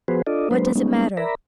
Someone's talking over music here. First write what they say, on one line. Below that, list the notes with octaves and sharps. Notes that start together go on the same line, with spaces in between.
What does it matter?
F3 B3 F#4 G#4 B4 C5
D4 F4 A4 D5 D#5
F#3 G#3 A#3 D4 B4 C5
G3 G#3 A#3 B3 C#4 D#4
A#4 D5 E5 A#5 B5